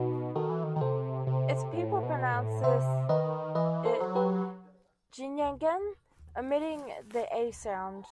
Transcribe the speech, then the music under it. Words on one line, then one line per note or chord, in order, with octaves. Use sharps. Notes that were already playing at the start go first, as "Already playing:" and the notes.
Its people pronounce it "Ginyangan" omitting the "a" sound.
Already playing: B2 D#4 F#4
D#3 F#4 A4
E3
D#3
D#3
C3 A4 C5
C3
A2
B2
A2
C3 C5 E5
D#3 B4 D#5
E3 B4 D#5
A4 C5
F#3
G4 B4